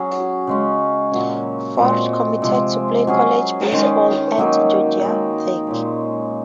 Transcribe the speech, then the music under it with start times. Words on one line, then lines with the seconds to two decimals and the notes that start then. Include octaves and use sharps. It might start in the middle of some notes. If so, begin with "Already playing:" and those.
Ford committed to play college baseball at Georgia Tech.
Already playing: F#3 C#4 F#4 G#4
0.47 C#3 G#3 C#4
1.12 A#2 F#3 A#3 C#4
1.77 A#2 G#3 C4
2.42 C3 F3 G#3
3.07 F#3 C#4 G#4
3.72 D#3 G#3 C#4
4.37 D#3 F#3 A#3 D#4
5.02 D#3 G#3 D#4
5.67 A#2 G#3 C#4